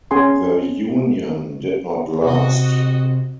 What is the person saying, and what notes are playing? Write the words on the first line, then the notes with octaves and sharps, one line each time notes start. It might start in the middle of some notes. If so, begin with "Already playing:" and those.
The union did not last.
C#4 G#4 G#5 C6
C3 F#4 D#5